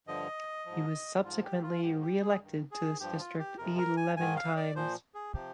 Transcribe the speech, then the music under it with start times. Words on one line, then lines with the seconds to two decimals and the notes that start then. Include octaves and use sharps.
He was subsequently reelected to this district eleven times.
0.07 G2 D3 F3 D#5
0.66 G#2 F3
1.24 G#2 F3 F4
1.44 G4
1.63 F4
1.83 G#2 D#3 G4
2.02 G4
2.22 G#4
2.41 G2 D#3
2.71 G#4
3.00 G2 F3 G4
3.19 F4
3.39 G4
3.58 F2 C3 F3 A#4
3.78 A#4
3.97 G#5
4.17 G#2 D#3 G#5
4.36 F5
4.56 D5
4.75 A#2 F3 C5
5.14 G#4
5.34 C3 F3 G4